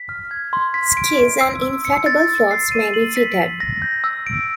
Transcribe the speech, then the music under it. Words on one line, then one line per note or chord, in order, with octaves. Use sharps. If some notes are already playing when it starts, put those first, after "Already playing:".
Skis and inflatable floats may be fitted.
Already playing: B6
F6
G#6
C6
B6
D7
D7
E6
E6
C#7
A6
E6
C7
D#7
F#7
B6
B6
A#6
G6
E6
D7